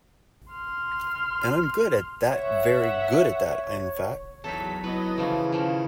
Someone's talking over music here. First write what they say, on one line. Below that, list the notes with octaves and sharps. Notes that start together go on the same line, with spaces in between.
And I'm good at that-very good at that, in fac.
C6 F6
C#5 E5 F#5
E2 F#3 D#4 A4 B6
F#3 B3 E4 B4 D#5
C#3 E3 F3 A3
A#2 D#3 F3